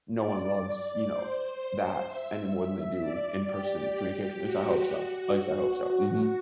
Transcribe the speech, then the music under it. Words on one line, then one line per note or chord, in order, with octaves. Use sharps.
no one loves, you know, that any more than they do in-person communication at least I hope so. At least I hope so, mhm.
D5
C5
C5
E5
D5
G4
G4
F#4
F#4